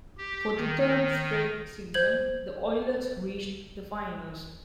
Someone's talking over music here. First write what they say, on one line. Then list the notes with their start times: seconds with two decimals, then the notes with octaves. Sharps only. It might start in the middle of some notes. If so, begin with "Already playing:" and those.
For the third straight season, the Oilers reached the Finals.
0.17 G4
0.56 D#3
1.94 C5 G6 G#6 F#7